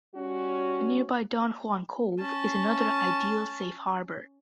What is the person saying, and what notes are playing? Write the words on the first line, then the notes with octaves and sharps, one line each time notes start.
The nearby Don Juan Cove is another ideal safe harbor.
G3 C#4 F#4
C#4 A5